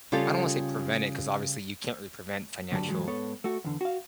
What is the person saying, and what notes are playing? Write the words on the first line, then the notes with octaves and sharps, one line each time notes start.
I don't wanna say prevent it 'cause, obviously, you can't really prevent financial,
C#3 G3 F4 G4 A4
D2 G2 D3 F#3 G3 A5
A2 E3 F#3 G#3
G#2 B3 A4 C#5
A3 F#4
E2 D3
F#4 F5